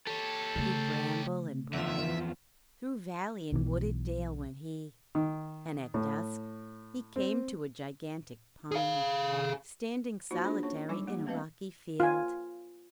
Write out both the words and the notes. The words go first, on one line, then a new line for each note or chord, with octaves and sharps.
Through bramble and brier, through valley and wooded dale went he, and at dusk he came to a gigantic pine standing solitary in a rocky field.
G4 A4 C#5
C#3 A3
E2 F3 E5
B1 B2 D3 E3
D#3
A2
C4
G#4 F5
A#3 D#4 F4 F#4 C5
D4 G#4
A#3 C#4 C#5 C#6
F#3 G3 D#4 G#5 D6
A#3 G4
A3 B3 C#4 B4 D#5 F5
F4 G#5